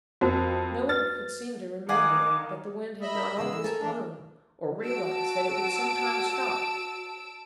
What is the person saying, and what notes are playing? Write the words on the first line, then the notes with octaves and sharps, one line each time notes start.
No one could seem to remember that the wind had not always blown, or realize that it would sometime stop.
F2 F#4 A#4 C5
B4 A6
D#3 F4 F#5 G#5 D6
D#5 E5 B5
A#4
E2 C#3 G#3 E6
E3
A4 A#4 G#5
E2 E3 D4
F#4 A5 E6 D7